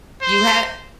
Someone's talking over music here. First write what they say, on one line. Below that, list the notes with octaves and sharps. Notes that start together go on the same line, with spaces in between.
You ha
C5